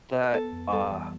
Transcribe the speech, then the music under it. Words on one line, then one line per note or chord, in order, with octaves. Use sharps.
that, uh,
B4
B3 A4
F2
G3 A4
E3